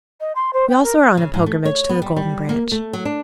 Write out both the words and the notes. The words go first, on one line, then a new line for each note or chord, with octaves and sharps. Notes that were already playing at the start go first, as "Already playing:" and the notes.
'We also are on a pilgrimage to the Golden Branch.'
D#5
C6
C5
G5
A#4
C#3
G#2
A3
C#5
B3
G3
G3
A#3
A3
F#3
D4